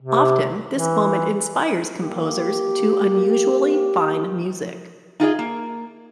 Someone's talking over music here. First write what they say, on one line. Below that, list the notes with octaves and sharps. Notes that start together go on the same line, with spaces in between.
Often, this moment inspires composers to unusually fine music.
C3
E3
A#3 G4
D#4 F4 G#4 D#5
A#3